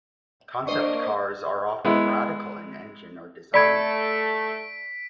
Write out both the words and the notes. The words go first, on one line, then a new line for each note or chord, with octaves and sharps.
Concept cars are often radical in engine or design.
A#3 D4 C5 D#5 C#6
G#3 B3 E4
A3 A4 D5 B5 G#6 B6 D7